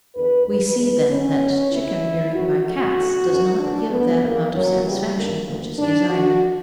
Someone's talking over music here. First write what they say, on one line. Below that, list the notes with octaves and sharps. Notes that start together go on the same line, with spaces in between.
We see, then, that chicken-rearing by cats does not give that amount of satisfaction which is desired.
E2 D3 B4
G2 D3 B4
E2 B2 B4
F#2 E3 C#4
F#2 D3
D2 C#3 E3 E4
D2 D3
F#2 E3 F#4
D2 D3 F#4
E2 D3
F#2 D3
D2 C#3 E3 D4
D2 D3 B3
E2 D3 A#3
F#2 E3 F#3
E2 C#3 E3 G3
G2 D3 A#3
D2 D3
G2 D3 D4
D2 D3 F#4